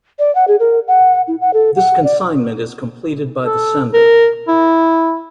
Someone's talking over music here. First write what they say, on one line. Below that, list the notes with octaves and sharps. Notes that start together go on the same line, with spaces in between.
This consignment is completed by the sender.
D5
F#5
G#4
A#4
F#5
E4
F#5
A4
F#5
D5
A4
A#4
E4